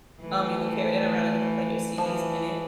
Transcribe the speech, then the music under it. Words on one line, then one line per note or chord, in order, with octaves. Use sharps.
um, you would carry that around and you could play your CDs in it,
E3 A3
E3 F3